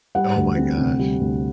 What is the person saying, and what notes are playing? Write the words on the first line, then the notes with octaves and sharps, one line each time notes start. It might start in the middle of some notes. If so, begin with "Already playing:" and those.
Oh my gosh.
G3 F#5
D2
C4
C3
G3
D2